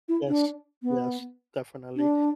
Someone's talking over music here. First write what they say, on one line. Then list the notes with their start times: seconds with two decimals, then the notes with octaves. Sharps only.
Yes, yes, definitely.
0.09 E4
0.28 D4
0.83 B3
1.96 D4